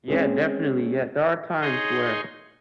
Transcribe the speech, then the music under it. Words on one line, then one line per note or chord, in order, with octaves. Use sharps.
Yeah, definitely. Yeah, there are times where
G#3 C4 C#4
D#4 G#4 C#5 D#5 C6